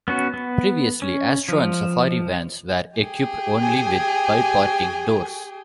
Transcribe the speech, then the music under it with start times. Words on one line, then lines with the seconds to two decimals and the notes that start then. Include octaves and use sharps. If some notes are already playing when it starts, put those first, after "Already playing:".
Previously, Astro and Safari vans were equipped only with bi-parting doors.
0.08 B3 C#4 F#4
0.34 B3
1.02 C#4
1.48 F3
2.97 G4 G#4 G5
3.62 G#5